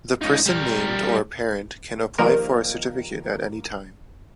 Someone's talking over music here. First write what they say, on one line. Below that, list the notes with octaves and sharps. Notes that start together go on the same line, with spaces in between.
The person named or a parent can apply for a certificate at any time.
C#2 D#4
G3 A#4
D#3 F3 G3 A#3 A#4